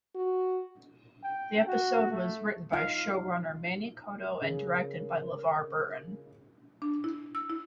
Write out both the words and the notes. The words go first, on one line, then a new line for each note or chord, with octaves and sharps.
The episode was written by showrunner Manny Coto and directed by LeVar Burton.
F#4
G5
F#4
A3
D#4 F4 F5
C#3 G#4 A#4
D4
E4
E6
E4